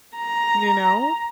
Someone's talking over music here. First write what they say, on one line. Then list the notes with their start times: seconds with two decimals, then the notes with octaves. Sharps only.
You know?
0.16 A#5